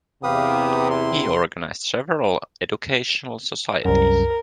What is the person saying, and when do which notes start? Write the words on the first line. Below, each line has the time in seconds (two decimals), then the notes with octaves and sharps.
He organized several educational societies.
0.23 E2 C3 G4 B4 F5 D#6
0.91 E4 C6
3.85 C2 F#2 A#4